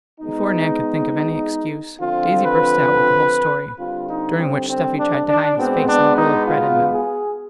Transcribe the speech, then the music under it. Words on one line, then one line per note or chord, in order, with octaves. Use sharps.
Before Nan could think of any excuse, Daisy burst out with the whole story, during which Stuffy tried to hide his face in a bowl of bread and milk.
B2 G#3 B3 D#4
D3 F3 C4 F4
B4
D3 G3 C4 F4
D#4
C4
C4
D4
D4
B2 G#3 B3 C4
D4
D#4
F4
G#4